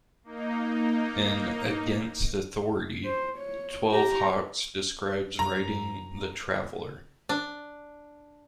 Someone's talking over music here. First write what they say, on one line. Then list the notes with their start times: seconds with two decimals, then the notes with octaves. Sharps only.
In "Against Authority", Twelve Hawks describes writing "The Traveler".
0.24 A#3 D#4
3.05 C5
3.38 C#5
3.92 G4 A#5
5.39 F#2 A#5
7.29 D4